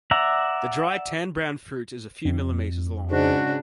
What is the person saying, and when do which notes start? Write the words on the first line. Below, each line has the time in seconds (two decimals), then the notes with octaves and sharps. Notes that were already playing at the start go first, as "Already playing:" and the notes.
The dry tan-brown fruit is a few millimeters long.
0.11 D5 E5 F#5 A#5
2.25 F2
3.11 G#2 C#3 D4 F#4